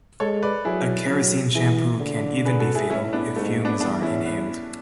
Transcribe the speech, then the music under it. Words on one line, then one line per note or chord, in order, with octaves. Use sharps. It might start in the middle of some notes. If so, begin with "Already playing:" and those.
A kerosene shampoo can even be fatal if fumes are inhaled.
G#3 A4 C#5
B4 D5
F#3 E4 G#4
F#3
E3 E4 G#4
D3
G#4 B4
F#4 A4
E4 G#4
A2 C#4 E4
B3 D4
G#2 A3
B3 D4
E2 B3 D4
C#4 E4
B3